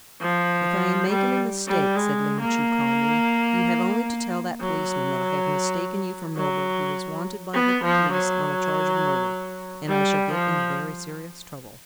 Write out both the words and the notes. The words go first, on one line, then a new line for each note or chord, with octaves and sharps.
"If I am making a mistake," said Ling Chu calmly, "you have only to tell that policeman that I have mistaken you for Milburgh, who is wanted by the police on a charge of murder, and I shall get into very serious trouble."
F3
G3
G3
G#3
A#3
F#3
F#3
B3
F3
F#3
G3
F3